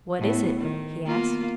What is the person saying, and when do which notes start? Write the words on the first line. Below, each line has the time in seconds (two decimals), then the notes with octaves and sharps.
"What is it?" he asked.
0.19 A2 B3
0.60 D#3
1.06 A#3 B3 F4